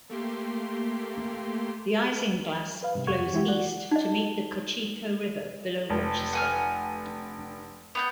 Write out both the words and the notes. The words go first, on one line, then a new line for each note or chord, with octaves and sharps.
The Isinglass flows east to meet the Cochecho River below Rochester.
A3 A#3 G4 C6
B4 F5
G2 C3
F2 F#5 C#6 G#6
E3 G#3 E4 G4
F#4 D5 F#5
D#4 D#5
F1
F#5 G#5 F6
B3 F#5 G6